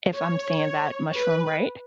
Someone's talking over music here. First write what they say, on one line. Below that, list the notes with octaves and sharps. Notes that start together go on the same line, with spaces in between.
if I'm saying that mushroom right,
C#5
B4